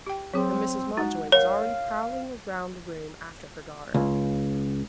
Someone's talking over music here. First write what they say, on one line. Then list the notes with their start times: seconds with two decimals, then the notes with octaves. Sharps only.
And Mrs. Mountjoy was already prowling round the room after her daughter.
0.07 G4 G5
0.34 F#3 C4 G#4
0.97 G#3 D#4 F#4 F#5
1.32 A#4 C#5 F5 F#5
3.94 C#2